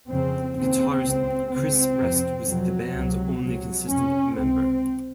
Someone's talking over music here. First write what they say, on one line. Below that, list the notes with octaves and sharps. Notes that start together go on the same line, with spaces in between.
Guitarist Chris Rest was the band's only consistent member.
F2 C#3 C4
D#2 C#3 C4
C#2 C#3
C#2 C#3 C4
F2 C3
F2 C3 F#3
C#2 C3
C#2 C3 F#3
F2 C3 C#4
C#2 C3 C4